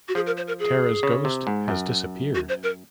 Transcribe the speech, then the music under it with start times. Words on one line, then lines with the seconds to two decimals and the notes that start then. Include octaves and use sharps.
Tara's ghost has disappeared.
0.08 F#4
0.15 F3 G#4
0.26 A#4
0.37 C5
0.48 A#4
0.59 G#4
1.03 C#3
1.25 C3
1.47 G#2
1.68 F#2
2.35 F#4
2.49 C5
2.63 A#4